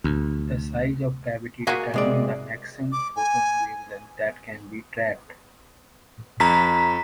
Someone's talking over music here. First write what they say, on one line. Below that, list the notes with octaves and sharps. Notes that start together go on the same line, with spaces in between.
The size of the cavity determines the maximum photon wavelength that can be trapped.
D2
A#3 F#4 G#4 D#5 G#5
C3 G#3 D5
D6
G#5
F2 A#5 B6